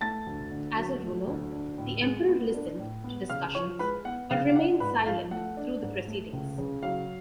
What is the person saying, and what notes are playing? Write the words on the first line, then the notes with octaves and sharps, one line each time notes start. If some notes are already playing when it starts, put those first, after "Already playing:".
As a ruler, the emperor listened to discussions, but remained silent through the proceedings.
A3 A5 A6
D2
D3
F#3
A3
D2
D4
A2
G#3
B3
D4
A2
B3
C#3 F5 F6
F3 C#5 C#6
G#3 B4 B5
B3 F#5
C#3 F5
F5
D4 F#5
G#2 B4 B5
F3 F5
A3 F#5
D4
G#2
A3
C#2
C#3
F#3 F5